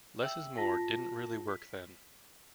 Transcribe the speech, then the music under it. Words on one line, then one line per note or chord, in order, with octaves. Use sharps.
'Less is more' didn't really work then.
E5 G5 E6 F#7
F4 A5 A#6 B6
B6